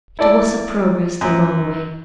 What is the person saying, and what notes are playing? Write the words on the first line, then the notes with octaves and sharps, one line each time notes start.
It was a progress the wrong way.
E4 A4 D5
F#2